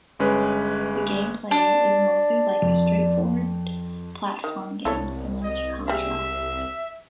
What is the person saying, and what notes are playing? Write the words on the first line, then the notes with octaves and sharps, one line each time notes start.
The gameplay is mostly like a straightforward platform game, similar to "Contra".
G1 G#3 C#4 B4
D4
F2
D#3
C2 E4 A4 C#5
D#5
G3 G#3 E5